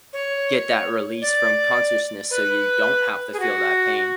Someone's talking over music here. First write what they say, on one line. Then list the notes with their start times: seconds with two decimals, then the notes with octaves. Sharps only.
get that release from consciousness, so you don't have to feel that pain,
0.13 C#5
1.22 D5
2.31 B4
3.33 G#4
3.40 F#4